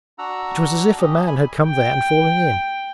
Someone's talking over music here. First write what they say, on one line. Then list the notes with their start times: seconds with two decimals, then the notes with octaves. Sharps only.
It was as if a man had come there and fallen in.
0.19 D4 F#4 F#5 A#5 E6
0.98 C#4 G4 D#5
1.27 G#5 B5
1.65 G5